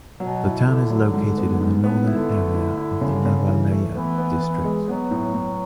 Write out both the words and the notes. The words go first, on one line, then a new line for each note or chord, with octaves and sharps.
The town is located in the Northern area of the Lavalleja district.
B2 F#3
E4
D3 E4
F#3
G#2
B3
G#2
B3
D3 E4
A3
E4
E4
C#3
C#3
E3
A3
E3 B3
B3
B3
G#3
F#3 B3
A2
A2